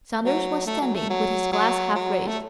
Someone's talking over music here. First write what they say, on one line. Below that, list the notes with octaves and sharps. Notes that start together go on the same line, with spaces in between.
Saunders was standing with his glass half raised.
F#3
A3
F#3
A3
F#3
F#3
F#3
A3